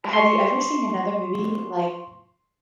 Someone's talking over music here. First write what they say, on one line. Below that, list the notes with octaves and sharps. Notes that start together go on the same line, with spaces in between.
have you ever seen another movie like
C6 C#6